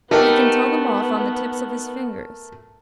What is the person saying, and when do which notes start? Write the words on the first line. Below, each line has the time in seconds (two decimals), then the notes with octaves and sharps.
He can tell them off on the tips of his fingers.
0.11 A3 B3 D#4 G4 A#4 B4